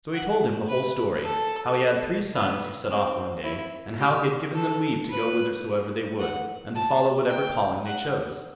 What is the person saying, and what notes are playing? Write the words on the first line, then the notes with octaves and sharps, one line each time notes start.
So he told him the whole story; how he had three sons who set off one day, and how he had given them leave to go whithersoever they would, and to follow whatever calling they chose.
F#5
B4
A4
B3
C4
E4
G4
A4
B4
F#5
A5
G5
F#5